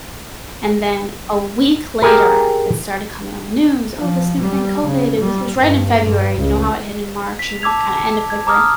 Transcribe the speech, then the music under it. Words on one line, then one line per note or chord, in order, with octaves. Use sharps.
and then a week later, it started coming on the news, "Oh, this new thing, COVID," it was it was right in February, and you know how it hit in March and kinda end of February.
G4 G#4 A#4
F3
G3
C#3
G3
G2
G2
C#2
B6 F7
A5 D6 E6 G#6 F7
G#6
A#5 D6 D#6 F6